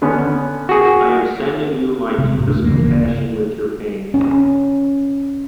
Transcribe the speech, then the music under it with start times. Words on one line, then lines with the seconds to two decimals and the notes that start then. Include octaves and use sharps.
I am sending you my deepest compassion with your pain.
0.02 D3 B3 C#4
0.69 F#4 G#4
2.18 C3 G#3
2.35 G#2 C3
2.47 D2 D4
2.64 G2 C#3 E3 A#3
2.82 D1 C#3 A#3
4.14 C#4